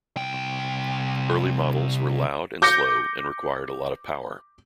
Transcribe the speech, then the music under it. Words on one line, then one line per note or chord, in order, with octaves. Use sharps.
Early models were loud and slow, and required a lot of power.
C2 G5
D6 G6 A#6 C#7